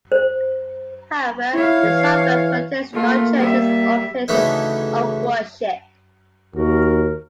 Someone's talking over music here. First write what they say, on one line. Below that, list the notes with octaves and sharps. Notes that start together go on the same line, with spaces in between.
However, the suburb contains no churches or places of worship.
C5
E4 C#5 F5
E3
A3 A#3 F4
G3 E5
D2 C#3 E3 A3 D#4
D#2 F#4 A#4